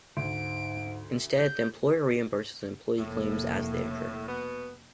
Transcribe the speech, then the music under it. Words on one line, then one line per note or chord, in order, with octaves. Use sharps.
Instead, the employer reimburses employee claims as they occur.
D2 G#2 D7
G6
F1 A2 A#3
B2 B3